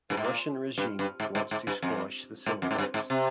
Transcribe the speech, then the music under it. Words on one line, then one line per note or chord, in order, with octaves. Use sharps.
The Russian regime wants to squash the civil rights.
G2
G#2
A#2
G2
G2
G#2
G#2
G#2
G2
F2
G#2
F2
G#2
G2
G#2
C3